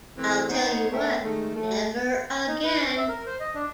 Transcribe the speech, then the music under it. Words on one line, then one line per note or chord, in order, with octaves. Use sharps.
I'll tell you what, never again.
E3 A3 C4
B3 D#4 C5 C#5
A3 B3 A#4 C#5 E5
D#3 G#3 A3
A3
D#4
B4
C#4
E5
A#4
C5
D#5
D4